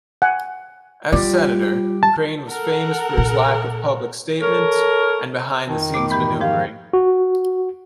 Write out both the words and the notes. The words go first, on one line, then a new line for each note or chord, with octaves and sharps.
As Senator, Crane was famous for his lack of public statements, and behind-the-scenes maneuvering.
F#5 G#5
G3 F4 G4 D5
A5
A4 A#4 F#5
A#2
A4 A#4 C#5
F2 D#3
A3 B3 D6
G#2 E3 G4 B5
G#2 F3 G4 F5
F#4